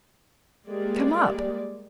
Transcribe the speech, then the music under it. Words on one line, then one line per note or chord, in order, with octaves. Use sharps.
Come up.
G3 G#3 A#3 G#4 D5